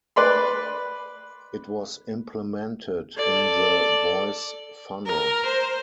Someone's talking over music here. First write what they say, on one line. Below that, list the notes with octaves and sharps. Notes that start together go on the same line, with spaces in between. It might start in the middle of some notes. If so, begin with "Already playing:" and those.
It was implemented in the Voice Funnel.
B4 D5 B5 C6
A4 D5
A#4
C5